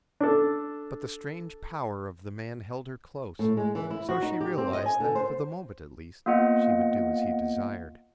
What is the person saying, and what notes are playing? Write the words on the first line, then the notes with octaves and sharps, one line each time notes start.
But the strange power of the man held her close, so she realized that for the moment at least she would do as he desired.
D4 A4
A2
G#3
E3
E4
F#4
D#4
G4
C4
D#5
G#5
D3
C5
A#3 B3 F4 D#5 F#5